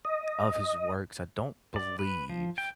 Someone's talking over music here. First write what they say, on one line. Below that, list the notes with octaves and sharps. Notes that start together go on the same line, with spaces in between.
of his works, I don't believe.
D#5
D5
B4
F3
G5